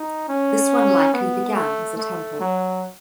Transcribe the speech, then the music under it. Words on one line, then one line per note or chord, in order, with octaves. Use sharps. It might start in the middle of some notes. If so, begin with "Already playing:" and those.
This one likely began as a temple.
Already playing: D#4
C#4
B3
A3
A3
F#3